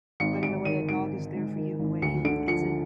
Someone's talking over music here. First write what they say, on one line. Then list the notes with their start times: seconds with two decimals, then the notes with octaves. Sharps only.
but in a way a dog is there for you in a way a human isn't,
0.20 G#1 C#7
0.43 G#2 D7
0.65 D#3 D#7
0.89 G#1 D7
1.11 G#1
1.34 G#2
1.56 D#3
1.79 G#1
2.02 D2 C#7
2.25 D3 D7
2.47 F3 C#7